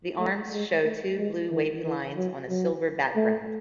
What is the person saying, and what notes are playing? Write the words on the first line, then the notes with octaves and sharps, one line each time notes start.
The arms show two blue wavy lines on a silver background.
A3
G#3
A3
G#3
E3
E3
F#3
F#3
A3